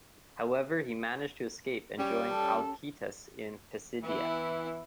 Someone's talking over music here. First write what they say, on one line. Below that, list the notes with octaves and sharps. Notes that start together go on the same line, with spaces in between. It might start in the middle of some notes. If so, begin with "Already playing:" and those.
However, he managed to escape and join Alcetas in Pisidia.
G3 C#4 G4 C#5
A4
E3 B3 E4